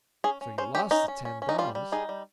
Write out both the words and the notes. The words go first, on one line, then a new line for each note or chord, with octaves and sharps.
"So you lost the ten dollars."
C#4 G#4
C#4
C#4 C5
C#4 G4
C#4 D#4
C#4
C#4
C#4
D#4
G3 F4
G3
D#4 G#4
G3